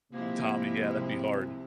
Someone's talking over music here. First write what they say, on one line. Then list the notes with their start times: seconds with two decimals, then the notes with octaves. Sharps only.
Tommy, yeah, that'd be hard.
0.12 C3 F3 G#3 A#3 E4
0.97 C2